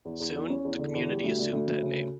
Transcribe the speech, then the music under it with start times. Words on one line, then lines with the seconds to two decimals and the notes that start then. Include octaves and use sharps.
Soon, the community assumed that name.
0.05 E2
0.20 E2
0.35 E2
0.50 C#4
0.64 E2
0.79 D3
0.94 E2
1.08 G3
1.24 D2
1.39 D3
1.53 D2
1.67 D2
1.83 C#3